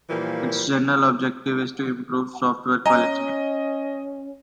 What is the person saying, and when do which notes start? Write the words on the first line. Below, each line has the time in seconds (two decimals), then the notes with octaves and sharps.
Its general objective is to improve software quality.
0.10 A#2 E3 F3 G3 A#3
2.86 C#4 D#5 G#5 A#5